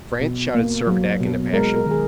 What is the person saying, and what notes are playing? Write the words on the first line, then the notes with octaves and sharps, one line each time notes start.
"France!" shouted Servadac in a passion.
B2
A#3
F#3
B2
G#3 A#4
A#4
D#3 G#4